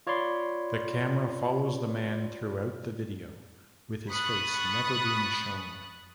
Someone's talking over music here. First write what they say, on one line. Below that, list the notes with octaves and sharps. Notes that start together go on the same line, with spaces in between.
The camera follows the man throughout the video, with his face never being shown.
F4 C#5 D5 B5 C6
B5 C#6 D#6 F#6 A6